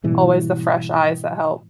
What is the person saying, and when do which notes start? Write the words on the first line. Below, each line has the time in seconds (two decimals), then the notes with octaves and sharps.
always the fresh eyes that help.
0.04 G#2 B2 E3 G3